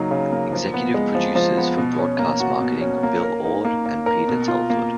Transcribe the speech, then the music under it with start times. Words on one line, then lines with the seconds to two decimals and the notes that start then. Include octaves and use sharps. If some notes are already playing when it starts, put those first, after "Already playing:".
Executive Producers for Broadcast Marketing, Bill Orde and Peter Telford.
Already playing: C#3 F#3 A#3 D#4
0.11 C#3
0.32 A#3
0.52 F3
0.74 B3
0.94 G#3
1.15 F3
1.35 F3
1.57 B3
1.78 B2
1.99 C#4
2.19 A#3
2.40 F#4
2.61 B2
2.81 C#4
3.03 A#3
3.23 A#4
3.45 D#4
3.65 A#3
3.86 A#3
4.06 A#4
4.28 B2
4.48 F4
4.70 A#3